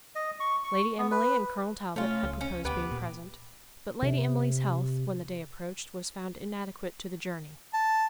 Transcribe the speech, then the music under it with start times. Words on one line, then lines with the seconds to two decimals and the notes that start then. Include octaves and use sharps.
Lady Emily and Colonel Talbot had proposed being present; but Lady Emily's health, when the day approached, was found inadequate to the journey.
0.15 D#5
0.40 C#6
0.64 C#6
0.98 B3
1.11 B4
1.96 A3 C#4 F4
2.23 C#2
2.41 C#4
2.65 D2 B3 G4 B4
2.92 A#2
4.02 C3
7.73 A5